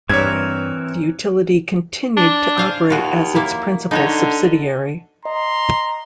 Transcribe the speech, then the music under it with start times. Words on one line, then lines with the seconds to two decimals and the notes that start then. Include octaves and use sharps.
The utility continued to operate as its principal subsidiary.
0.09 G2 E3 C4 A#4 C#5 G#6
2.17 D4
2.58 C5 F5 G#5
2.90 D#2 F4 F#4
3.35 A#3 E4
3.91 D3 D#4 F#4 C#5
5.25 D#5 A#5 C6